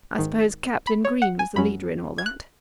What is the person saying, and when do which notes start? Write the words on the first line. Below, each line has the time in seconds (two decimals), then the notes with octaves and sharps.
"I suppose Captain Green was the leader in all that?"
0.18 G#1 G#2 D#3
0.87 B5
1.05 C#5
1.22 F#5
1.39 G#5
1.56 F#2 F#3 C#4 B5
2.18 G#6
2.26 F#6